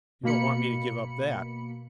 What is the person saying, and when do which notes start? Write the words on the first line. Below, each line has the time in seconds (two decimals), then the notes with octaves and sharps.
You don't want me to give up that?
0.23 B2 A#3 B5 C#7